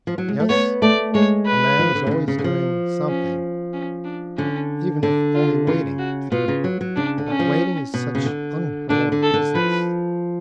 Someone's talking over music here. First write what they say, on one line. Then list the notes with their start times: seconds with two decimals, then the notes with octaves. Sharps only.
"Yes, a man is always doing something, even if only waiting; but waiting is such unheroic business."
0.07 F3
0.18 F#3
0.28 G#3
0.40 A3
0.50 B3 C#5
0.82 A3 D5
1.15 G#3 C#5
1.47 B4
1.79 F3
1.95 D3
2.07 B2
2.11 C#3
2.28 C#3
2.38 D3
2.44 F3
3.09 C#4
3.74 C#4
4.05 D4
4.38 D3 C#4
5.03 D3 D4
5.35 F4
5.67 C#3 F4
5.99 F#4
6.31 B2 F4
6.48 C#3
6.64 F#3
6.81 F#3
6.96 C#3 D4
7.18 D3
7.29 C#4
7.39 F3
7.94 B2
8.15 C#3
8.26 D3
8.90 D3 D4
9.12 D3
9.23 A4
9.34 D3
9.55 F3 B4